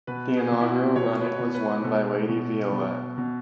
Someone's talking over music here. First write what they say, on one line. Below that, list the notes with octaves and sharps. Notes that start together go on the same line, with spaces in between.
The inaugural running was won by Lady Violette.
B2 B4
G#4
B2
E4
F#4
B2 C#5
B4
C#5
B2
B4
B2 A4
B2
B2
B2